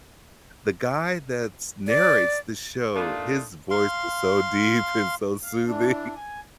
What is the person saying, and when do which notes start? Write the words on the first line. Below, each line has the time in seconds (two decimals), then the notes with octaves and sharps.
the guy that's narrates the show, his voice is so deep and so soothing
1.87 D5
2.95 A3 A#3 D4 D#4 F4
3.71 F5 C6
5.43 F5
5.67 E3 D4
6.16 G#5